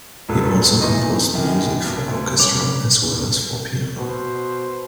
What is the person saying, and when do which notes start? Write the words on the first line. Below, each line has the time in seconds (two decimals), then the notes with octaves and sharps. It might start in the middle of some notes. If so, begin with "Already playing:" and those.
He also composed music for orchestra as well as for piano.
0.29 E1 F4 A4 B4
0.81 E2 A#2 E3 D#4 D#5
1.33 F#2 D#3 E3
1.86 B1
2.08 D2
2.39 G2 C#4 C#5 D6 F7
3.99 B2 C5